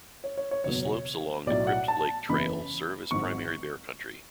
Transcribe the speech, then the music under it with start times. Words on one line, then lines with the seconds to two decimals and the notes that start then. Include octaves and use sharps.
The slopes along the Crypt Lake Trail serve as primary bear country.
0.24 C#5
0.37 C#5
0.51 C#5
0.64 F#1 E2 B2 F#3 C#5
1.46 B1 A2 F#3 D5
1.67 F#5
1.88 A5
2.29 F#1 E2 C#3 E3 B5
3.11 G#1 G#2 F#3 C#6